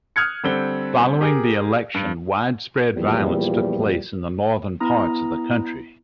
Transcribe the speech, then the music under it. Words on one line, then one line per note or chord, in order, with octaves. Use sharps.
Following the election widespread violence took place in the northern parts of the country.
D#6 F6 F#6 G#6 C#7
D3 G3 C4 A4 G7
G4 G#4 A#4
G2
E2 A#2 F3 G3
B3 E4 A#5 D#6